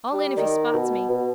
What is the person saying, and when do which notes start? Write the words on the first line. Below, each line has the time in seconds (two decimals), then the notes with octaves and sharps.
All in if he spots me.
0.13 G3
0.37 D#3
0.74 B2
1.10 B2